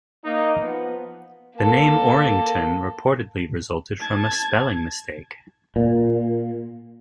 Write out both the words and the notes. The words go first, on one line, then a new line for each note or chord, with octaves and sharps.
The name "Orrington" reportedly resulted from a spelling mistake.
A#3 D#4
F3 B3
A#3 A4
A5 G#6
A#2